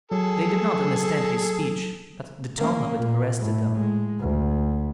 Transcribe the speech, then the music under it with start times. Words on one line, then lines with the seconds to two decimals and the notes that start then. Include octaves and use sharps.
They did not understand his speech, but the tone of it arrested them.
0.11 F#3 G#4 A4
2.58 A#3 C#4
2.95 A#2 A#3
3.40 A2
3.76 G#3
4.20 D2